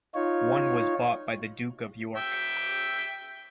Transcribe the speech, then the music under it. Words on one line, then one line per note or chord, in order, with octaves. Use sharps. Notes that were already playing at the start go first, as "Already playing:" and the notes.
One was bought by the Duke of York.
D#4 F4 C#5
E5 G5